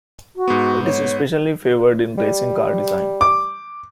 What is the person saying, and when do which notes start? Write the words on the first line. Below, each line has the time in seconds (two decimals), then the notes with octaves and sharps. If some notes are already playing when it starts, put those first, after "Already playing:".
It is especially favored in racing car design.
0.36 F#4
0.48 G#2 B3
0.84 C#5
2.18 G3
3.21 D6